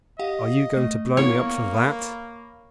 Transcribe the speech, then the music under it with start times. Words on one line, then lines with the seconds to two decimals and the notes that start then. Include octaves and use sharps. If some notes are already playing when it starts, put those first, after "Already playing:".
Are you going to blow me up for that?
0.19 G4 D#5 F5 F#5
0.77 A3
1.17 A#3 B3 E4 C#5 F#5
1.74 B5 C#6